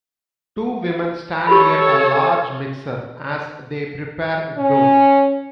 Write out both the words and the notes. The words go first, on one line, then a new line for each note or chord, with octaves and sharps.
Two women stand near a large mixer as they prepare dough.
G4 A4 C#5 B5
C#4